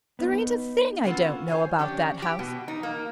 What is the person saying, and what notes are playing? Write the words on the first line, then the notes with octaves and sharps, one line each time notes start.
There ain't a thing I don't know about that house.
B3 D#4
B3 C#4 F4 A4
C5 C#5 G#5
F3 C#4 D4 G4 C#5
G4
B2
D#4
A#3